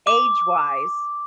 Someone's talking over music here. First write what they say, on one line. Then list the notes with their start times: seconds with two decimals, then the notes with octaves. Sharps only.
age wise
0.07 D6